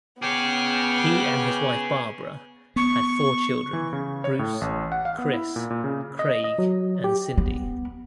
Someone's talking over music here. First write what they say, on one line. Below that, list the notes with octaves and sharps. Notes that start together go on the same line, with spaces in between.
He and his wife Barbara had four children, Bruce, Chris, Craig and Cindy.
B3 G#4 C#5 G5 D6 F6
B3 C#6
E3
C#3
C#5
A2
A1
F#5
F5
B3
E4
A#2
A#2
C#3
D#5
D#5
F#3
G4
B3